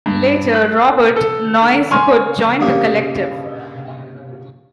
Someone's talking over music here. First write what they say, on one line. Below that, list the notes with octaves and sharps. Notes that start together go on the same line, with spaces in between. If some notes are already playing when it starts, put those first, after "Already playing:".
Later Robert "Noise" Hood joined the collective.
G2
F#6
A4
G#5 C6 C#6 F6
G2 C#3 A#3